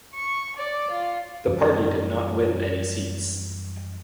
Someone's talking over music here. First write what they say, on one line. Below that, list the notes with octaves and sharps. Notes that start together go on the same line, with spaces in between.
The party did not win any seats.
C#6
D5
F4
F#2 E3 G3 C#4